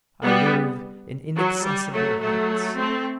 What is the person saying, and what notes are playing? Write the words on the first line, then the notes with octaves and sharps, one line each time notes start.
I live in inaccessible heights.
G3 B3
F#3
G3
F#3 A3
F#3 A3
A3 C4